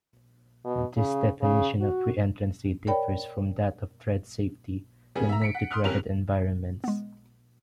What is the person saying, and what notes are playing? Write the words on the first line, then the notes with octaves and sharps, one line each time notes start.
This definition of reentrancy differs from that of thread-safety in multi-threaded environments.
B2
C#3
C#3
F#4
A#4 C#5 D5 G5 B5
C#3 G3 B3 G#4
E5 A#5
B6 C#7 D7
F#5
C6 D#6 F6 F#6
G1 C3 G3 C#4 A#4 F7
G#3 B3